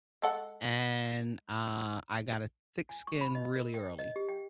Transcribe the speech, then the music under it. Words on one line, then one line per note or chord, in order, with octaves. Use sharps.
and, ah, I got a thick skin really early,
G#3 A4 F#5
G#5
C#6
B5
D#5
A#4
G5
D#5
G4
G5